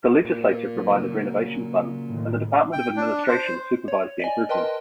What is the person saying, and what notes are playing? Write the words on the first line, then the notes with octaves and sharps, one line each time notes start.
The Legislature provided renovation funds and the Department of Administration supervised the improvements.
A#2
C#3 F#3
A2 D#3
G5
D4
C5
C#5
D5 D#5 G#5
A#4 B4 D#5 G5 A5 C6